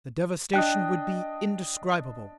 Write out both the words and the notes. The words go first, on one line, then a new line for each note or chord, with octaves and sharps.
The devastation would be indescribable.
D4 D#5 G5 F#6